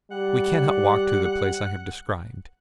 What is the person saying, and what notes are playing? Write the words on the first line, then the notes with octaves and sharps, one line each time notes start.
We cannot walk to the place I have described.
G3 F#5